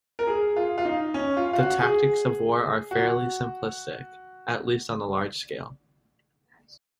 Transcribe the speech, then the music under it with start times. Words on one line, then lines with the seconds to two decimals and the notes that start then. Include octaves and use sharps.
The tactics of the war are fairly simplistic, at least on the large scale.
0.19 A#4
0.27 G#4
0.56 F4
0.78 F4
0.85 D#4
1.14 C#4
1.37 F4
1.53 F4
1.59 F#4
1.81 G#4
2.91 F#4